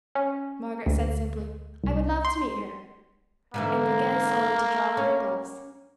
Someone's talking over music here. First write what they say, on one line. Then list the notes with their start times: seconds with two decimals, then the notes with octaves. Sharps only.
Margaret said simply, "I would love to meet her," and began slowly to draw on her gloves.
0.15 C#4
0.86 D2
1.84 C2
2.25 C6
3.54 G#2 D3 E3 A#3
4.97 C#4